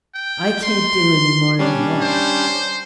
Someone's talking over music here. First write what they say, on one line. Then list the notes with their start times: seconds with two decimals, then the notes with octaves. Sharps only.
"I can't do any more than look."
0.14 G5
0.63 C6
1.59 G3 C#4 D4
2.01 C5